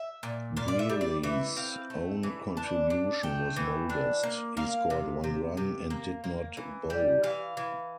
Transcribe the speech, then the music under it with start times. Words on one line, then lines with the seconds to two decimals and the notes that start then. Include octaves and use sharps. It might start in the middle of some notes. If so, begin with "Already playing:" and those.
Brearley's own contribution was modest: he scored one run and did not bowl.
Already playing: E5
0.23 A#2
0.57 A#2 F5
0.68 D5
0.79 E5
0.89 G3
1.01 D5
1.23 E3 E5
1.56 C4 F5
1.90 A3
2.23 E3
2.57 D4 A5
2.90 D4
3.23 A3 G5
3.56 E3
3.90 D4
4.23 A#3
4.57 A#3 F5
4.90 C3
5.24 C3
5.57 C3
5.90 A#3
6.24 A#3
6.57 E3
6.90 G3
7.24 E3 F5
7.57 E3